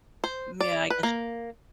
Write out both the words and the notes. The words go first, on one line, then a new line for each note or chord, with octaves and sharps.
Yeah, I guess.
C5
D5
B4
A#3